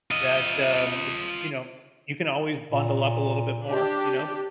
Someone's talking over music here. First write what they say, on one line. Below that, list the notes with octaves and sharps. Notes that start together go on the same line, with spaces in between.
that, um, eh you know, you can always bundle up a little bit more. You know?
F4 D#5
A#2
D4 G4